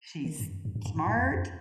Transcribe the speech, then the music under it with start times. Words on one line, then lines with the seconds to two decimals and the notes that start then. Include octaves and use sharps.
she's smart,
0.24 D#3
0.40 G2
0.65 G2
0.75 G2
0.85 G2
0.96 G2
1.06 A#2
1.16 F2
1.32 F2